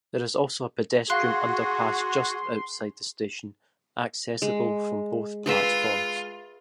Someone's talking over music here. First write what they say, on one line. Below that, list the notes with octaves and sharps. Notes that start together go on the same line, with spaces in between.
There is also a pedestrian underpass just outside the station, accessible from both platforms.
F#4 G#4 F5 C6 F#6
G#3
F4 G#4 B4 E5